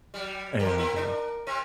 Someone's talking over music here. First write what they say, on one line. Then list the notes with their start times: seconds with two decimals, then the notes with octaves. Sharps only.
and, uh
0.14 F#3 G3
0.59 E2 G4 A#4
0.78 A#3 C4 E4
0.96 D4
1.47 C3 C4